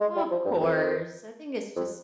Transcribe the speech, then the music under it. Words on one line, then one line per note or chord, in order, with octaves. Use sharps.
Oh, of course. I think it's just
G#3
G3
F3
G2
F2
F2